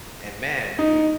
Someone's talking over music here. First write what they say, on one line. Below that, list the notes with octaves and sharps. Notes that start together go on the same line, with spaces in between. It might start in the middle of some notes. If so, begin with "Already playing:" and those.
And man, dude,
D#4